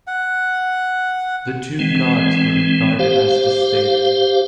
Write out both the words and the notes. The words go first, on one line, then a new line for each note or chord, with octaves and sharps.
The two gods were regarded as distinct.
F#5
E3 G#3 C4
G4 C5 F5